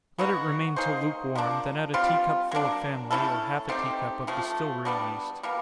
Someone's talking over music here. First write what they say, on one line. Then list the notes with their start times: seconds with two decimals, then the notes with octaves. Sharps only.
Let it remain till lukewarm, then add a tea-cup full of family, or half a tea-cup of distillery yeast.
0.18 F#3 B3 D#4 F#4
0.76 A#3 D#4 G#4 C5
1.35 F3 A#3 D4
1.94 G3 C4 F4
2.51 F#3 A#3 D4
3.11 A3 C#4 E4 A4
3.69 A3 C4 D#4 G4
4.27 C#3 F3 A3
4.85 B2 G3 B3 D4
5.43 B2 G3 A#3